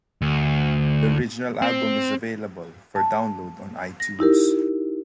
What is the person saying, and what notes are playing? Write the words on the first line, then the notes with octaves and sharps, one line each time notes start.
The original album is available for download on iTunes.
D2
C4
A5
A#6
D#4 E4 G4 A#4